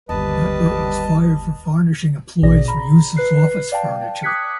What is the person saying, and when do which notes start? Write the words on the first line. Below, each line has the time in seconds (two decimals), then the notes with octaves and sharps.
Ratbert was fired for varnishing employees for use as office furniture.
0.09 G1 D#2 G3 B4 D#5 A5
2.42 A#1 B2 G#4 D5 A#6
2.68 A#5 B5
3.16 B4 F#6 C7
3.72 D5 F5 G5 A5
4.23 D6 D#6 F#6 G#6 B6 C#7